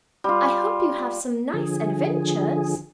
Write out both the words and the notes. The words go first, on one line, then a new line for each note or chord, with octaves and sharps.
"I hope you have some nice adventures!"
G3 F4
D3 F3 G#4